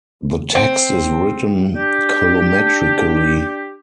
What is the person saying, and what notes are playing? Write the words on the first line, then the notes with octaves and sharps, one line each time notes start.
The text is written colometrically.
C4
D4 G4